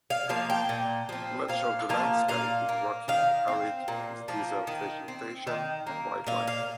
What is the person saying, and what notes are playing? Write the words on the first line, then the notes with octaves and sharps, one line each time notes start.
Much of the landscape is rocky and arid with desert vegetation and wildlife.
F5
F3 A#3 F5
G5
A#2
F3 C4
A#2 F5
F3 A#3 F5
A#2 F5
A#3
D#3 F5
C4
A#2
F3 A#3
D#3
C4
D#3
A#3
A#2 F5
F5